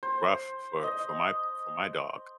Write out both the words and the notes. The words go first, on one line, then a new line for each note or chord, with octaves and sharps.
rough for for my for my dog,
C5
D#5